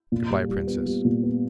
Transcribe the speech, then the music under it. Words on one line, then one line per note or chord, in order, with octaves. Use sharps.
Good-bye, Princess.
A#2
G3
G3
B3
G3
A#2
B3